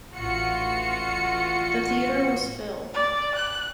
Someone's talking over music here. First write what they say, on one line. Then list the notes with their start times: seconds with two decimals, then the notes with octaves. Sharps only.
The theater was filled.
0.14 A1 F4 F#4 C#7
2.94 D5
3.35 F#6